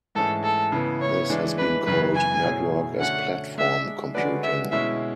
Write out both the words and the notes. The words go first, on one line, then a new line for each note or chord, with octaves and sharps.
This has been called "network as platform" computing.
G#2 E3 A3 C#4 G#4 A4
A4
C#3 E3 B3 E4
C#5
E3 G#3 D4
B4
F#2 C#3 E3 B3 B4
G#5
B2 A3 E4 G#4 C#5
D3 A3 C#4 F#4 C#5 F#5
G#3 D4 G#4 E5
D3 G#3 C#4 F#4 B4 D5
E5
B2 G#3 C#4 E4 E5